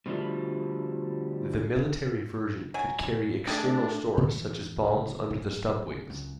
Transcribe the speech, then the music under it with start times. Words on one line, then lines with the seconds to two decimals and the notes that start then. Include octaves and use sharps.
The military version could carry external stores such as bombs under the stub wings.
0.06 B2 D3 F3 G3 A3
2.74 F#3 G#5
3.47 G3 A3 D4 G#4 D5
4.17 A2 D3 A3 C4
4.36 F2 E3
4.87 D1 C#3 G3
5.30 D#1 B1 G#2 A3
6.09 C#2 F#2